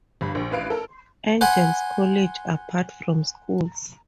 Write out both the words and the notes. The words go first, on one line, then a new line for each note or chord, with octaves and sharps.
Agnel's college, apart from schools.
G1 G2 B5
A#1
A1 B4 F5 D7
A4 A#4
C5 F#5 G#5 B5